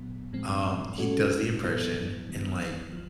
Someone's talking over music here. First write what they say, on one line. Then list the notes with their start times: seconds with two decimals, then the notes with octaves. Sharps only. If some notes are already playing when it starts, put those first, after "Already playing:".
um, he does the impression and, like
Already playing: A#2 F#3 B3
0.33 A2 F3 G#3 C4
0.98 G#3 C#4 F#4 A4
1.62 A2 F#3 B3 E4 A4
2.29 D#3 G3 B3
2.93 F3